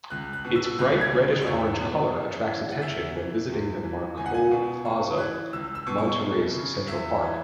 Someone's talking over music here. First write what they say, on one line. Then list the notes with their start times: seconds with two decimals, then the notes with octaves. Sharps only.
Its bright reddish-orange color attracts attention when visiting the Macroplaza, Monterrey's central park.
0.10 C#2 F#6
0.33 F#6
0.44 B2
0.55 E6
0.78 C#2 F#6
1.01 G#6
1.12 C#3
1.42 C#5
1.46 E2 E5
1.81 B2
2.14 F#2
2.47 E3
2.71 F#5
2.81 F#2 E5
3.16 E3
3.49 E2
3.83 E3
4.17 C#2 G#5
4.26 F#5
4.34 G#5
4.51 B2
4.85 F#2 C#6
5.18 E3 F#6
5.52 C#2 E6
5.75 E6
5.87 B2
5.98 C#6
6.21 F#2
6.55 C#3
6.88 E2 E5
7.22 E3